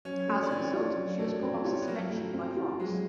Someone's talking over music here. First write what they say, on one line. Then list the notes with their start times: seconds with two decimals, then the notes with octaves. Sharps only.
As a result, she was put on suspension by Fox.
0.05 F#3 C#4
0.28 A3
0.43 D4
0.51 C4 C#4
0.73 F4
0.96 F#3
1.19 A3 D4
1.42 C4 D4
1.64 C#4 F4
1.82 B3
1.87 F#3 A#3
2.11 A3
2.34 C4
2.57 F4
2.79 F#3 G#3